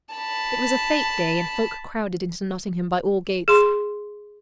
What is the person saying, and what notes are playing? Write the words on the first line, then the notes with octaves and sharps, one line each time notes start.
It was a fete-day, and folk crowded into Nottingham by all gates.
A5 B5
G#4 C6